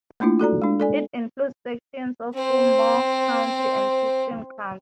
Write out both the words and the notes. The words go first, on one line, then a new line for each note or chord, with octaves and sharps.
It includes sections of Fillmore County and Houston County.
A3 A#3 D4 E4 F4
F#4 A4 D5 A#5
G#3 D4
A4 D5 G#5
C4 C5